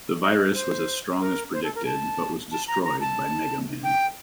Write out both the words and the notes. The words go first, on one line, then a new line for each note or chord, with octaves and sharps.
The virus was as strong as predicted, but was destroyed by MegaMan.
D#5
C5
A#4
C5
A4
A#4
A5
A5
A#5
A#5
A5
G5